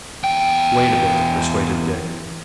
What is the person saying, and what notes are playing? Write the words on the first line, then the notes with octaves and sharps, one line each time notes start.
"Wait a bit," persuaded Dick.
E2 G5